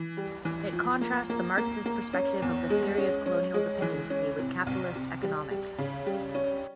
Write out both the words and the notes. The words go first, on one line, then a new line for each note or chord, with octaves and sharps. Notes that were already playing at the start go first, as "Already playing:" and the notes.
It contrasts the Marxist perspective of the Theory of Colonial Dependency with capitalist economics.
Already playing: E3
G3
E3
F3
A#3
A#3
A#3
A#3
C#4
E2
G#3
C#4
C#4
G#3
E3
C#4
C3
C2
C3
G3
G3
C#3
G3
C#4